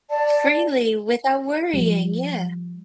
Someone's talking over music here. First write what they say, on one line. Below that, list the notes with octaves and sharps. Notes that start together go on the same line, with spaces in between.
freely without worrying, yeah.
D5 A5
F3 G3